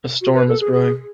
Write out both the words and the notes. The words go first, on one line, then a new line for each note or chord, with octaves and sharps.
A storm is brewing.
F#4
B4
A4
G#4
G#4